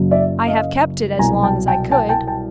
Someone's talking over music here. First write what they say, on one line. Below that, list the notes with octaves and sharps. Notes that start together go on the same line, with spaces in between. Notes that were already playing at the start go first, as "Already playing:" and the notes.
I have kept it as long as I could.
Already playing: F#1 F#2 C#3 F#3 A#3
D5 E5
D#5 F5
C2 B2 F#3 G#5 A#5
G5 A5
G5 A5
G5 A5
G5 A5
G5 A5